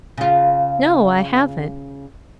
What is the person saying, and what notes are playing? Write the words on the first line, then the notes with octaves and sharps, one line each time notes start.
"No, I haven't."
C#3 F4